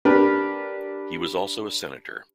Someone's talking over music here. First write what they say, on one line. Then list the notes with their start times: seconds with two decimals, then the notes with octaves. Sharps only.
He was also a senator.
0.05 D4 G4 A#4 B4